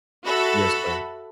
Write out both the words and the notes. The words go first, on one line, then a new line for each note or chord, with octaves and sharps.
Yes, sir.
F#4 A4 E5 B5